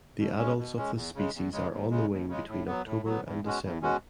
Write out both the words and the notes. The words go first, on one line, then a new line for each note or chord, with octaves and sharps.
The adults of this species are on the wing between October and December.
B2
G#3 C#4
B2
G#3 C#4
E2
C#3 G#3
E2
C#3 G#3
D#2
C#3 G#3
D#2
C#3 G#3
A2
F#3 B3
A2
F#3 B3
E2
B2 G#3 C#4 F#4
E2
B2 G#3 C#4 F#4